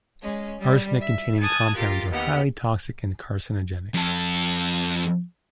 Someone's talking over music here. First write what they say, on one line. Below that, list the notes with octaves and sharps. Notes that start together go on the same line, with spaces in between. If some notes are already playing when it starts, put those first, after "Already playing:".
Arsenic-containing compounds are highly toxic and carcinogenic.
G#3 C#4
G3
E5
G#5 A5 D#6 F#6 G#6
F4 G4 A#4 A6
D#2 B3 G4 F#5 F6
F2 A4